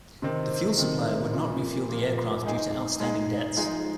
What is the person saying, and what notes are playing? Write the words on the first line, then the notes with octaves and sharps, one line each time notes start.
The fuel supplier would not refuel the aircraft due to outstanding debts.
C3 D#3 C4
C3 D#3 C4
A#2 F3 A#3
A#2 F3 A#3
G#3 D#4 G#4
G#3 D#4 G#4
F3 G#3 D#4 G#4